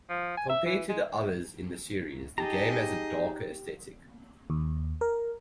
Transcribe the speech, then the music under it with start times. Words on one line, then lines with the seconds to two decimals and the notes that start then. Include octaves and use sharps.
Compared to the others in the series, the game has a darker aesthetic.
0.09 F3
0.37 G#5
0.49 E5
0.66 E3
0.89 G#3
2.38 D#4 G4 G#4 D#5 A5 A#5
4.50 D#2
5.01 A#4